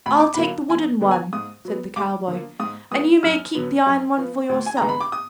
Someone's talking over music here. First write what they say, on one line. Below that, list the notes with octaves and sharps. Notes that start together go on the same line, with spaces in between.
"I'll take the wooden one," said the cowboy; "and you may keep the iron one for yourself."
D2 B5
D6
D3 F#3 A#3 B5
F2 G#5
D3 G#3 B3
G#5
G#2 D#6
F#3 B3
D#2 D6
D3 F3 A#3
G#2 D#6
F3 G#3 B3 D#6
F#2 F6
D3 F#3 B3
F#2
F3 B3
D2
G#5
D3 G#3 B3 A#5
B5
D6
D#6